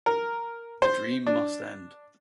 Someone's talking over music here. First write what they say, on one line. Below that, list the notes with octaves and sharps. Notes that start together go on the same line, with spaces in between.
The dream must end.
A#4
C5
D4